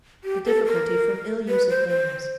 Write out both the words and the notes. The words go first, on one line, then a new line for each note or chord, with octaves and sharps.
The Difficulty from ill Use of Names.
G4
A4
A#4
B4
C5
C5